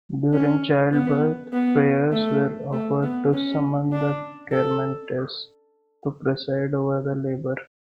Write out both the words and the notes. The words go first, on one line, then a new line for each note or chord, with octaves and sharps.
During childbirth, prayers were offered to summon the Carmentes to preside over the labor.
C#4
B3
B3
A3
A3
B3
C#4
D4
A4